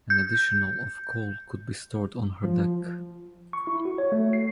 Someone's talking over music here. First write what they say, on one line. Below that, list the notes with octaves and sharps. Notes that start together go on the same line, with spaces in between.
An additional of coal could be stored on her deck.
G6
F3
C#6
E4
F#4
C#5
A3
C7